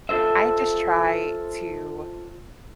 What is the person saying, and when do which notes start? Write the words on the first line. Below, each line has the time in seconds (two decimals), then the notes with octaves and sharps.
I just try to
0.09 F4 A4 C5 E5